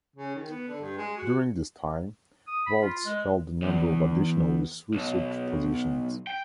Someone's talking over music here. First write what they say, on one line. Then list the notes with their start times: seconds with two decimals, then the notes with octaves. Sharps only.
During this time, Waltz held a number of additional research positions.
0.16 C#3
0.35 D#3
0.49 B3
0.67 D3
0.81 G2
0.97 G#3
1.17 F#4
2.47 D#6
2.66 B5
2.82 F4
3.05 G#3
3.62 E2
4.93 B1
6.27 G5